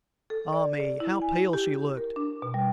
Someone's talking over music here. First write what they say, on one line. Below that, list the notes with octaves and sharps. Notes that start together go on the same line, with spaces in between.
Ah me, how pale she looked!
A4
D5
D5
E4
G#5
G4
A#4
D4
B2
G3